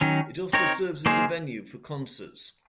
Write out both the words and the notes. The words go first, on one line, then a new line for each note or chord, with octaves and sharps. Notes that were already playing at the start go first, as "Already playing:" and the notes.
It also serves as a venue for concerts.
D#3 F#3 C#4
C4 D#4 A#4 C#5
F#3 A#3 D#4 G#4 C5